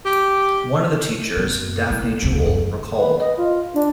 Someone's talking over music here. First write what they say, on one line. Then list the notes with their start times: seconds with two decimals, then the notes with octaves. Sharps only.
One of the teachers, Daphne Jewell, recalled.
0.05 G4
1.37 F#2 B3
1.90 A3 E4
2.22 E1 C#2
2.46 F#2
2.98 B4
3.20 D#5
3.38 F4
3.74 D4